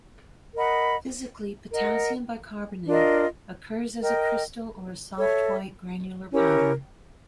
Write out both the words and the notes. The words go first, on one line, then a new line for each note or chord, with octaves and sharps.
Physically, potassium bicarbonate occurs as a crystal or a soft white granular powder.
A#4 D#5 F#5 B5
A#4 D#5 F#5
D4 F4 A#4 D#5
A#4 D#5 G5
A4 C#5 E5
C#4 E4 G4 A#4